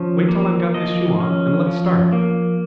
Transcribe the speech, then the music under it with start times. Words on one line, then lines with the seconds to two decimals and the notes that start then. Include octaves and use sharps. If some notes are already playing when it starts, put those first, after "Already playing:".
Wait till I've got this shoe on, and let's start.
Already playing: F3 C#4 C5
0.28 A#3
0.74 F3 D#5
1.20 C#4
1.67 F3
2.12 A#3